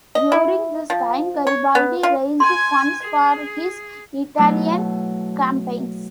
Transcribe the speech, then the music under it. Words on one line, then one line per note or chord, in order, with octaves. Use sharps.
During this time Garibaldi raised funds for his Italian campaigns.
D#5
E4
F3
C#5
B3
F4
G#5 C6 G#6
G#4
B2 F#3 A3 E4